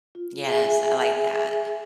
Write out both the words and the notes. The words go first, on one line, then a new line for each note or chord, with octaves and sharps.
Yes, I like that.
F4
G#4 E5 G#5